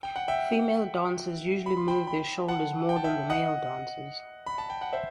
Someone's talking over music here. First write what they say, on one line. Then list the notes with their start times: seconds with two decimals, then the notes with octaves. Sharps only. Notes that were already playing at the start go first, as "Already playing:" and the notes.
Female dancers usually move their shoulders more than the male dancers.
0.03 G5
0.16 F#5
0.28 E5 G5
1.66 B5
1.77 C6
1.88 G5 B5
2.07 G5 B5
2.48 F#5 A5
2.89 G5
2.96 A5
3.04 E5 G5
3.30 D#5 F#5
4.46 B5
4.58 A5
4.70 G5
4.81 F#5
4.93 C5 E5